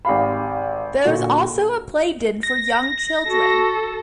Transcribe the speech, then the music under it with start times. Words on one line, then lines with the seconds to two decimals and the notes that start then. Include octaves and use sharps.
There is also a playden for young children.
0.05 G#1 G4 F5 B5
1.05 A#2 D3 F#4
2.43 A#6
3.28 F#4 A4